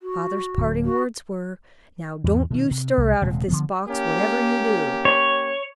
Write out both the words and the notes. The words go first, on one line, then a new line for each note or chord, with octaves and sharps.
Father's parting words were: 'Now, don't you stir out of this box, whatever you do.
F#4
D1 A2
F#4
E2 G#2
B2 D#3
C3
C2
D#1 C3 G#3
D3 F3 B3
A#3 C#4 G4
C#5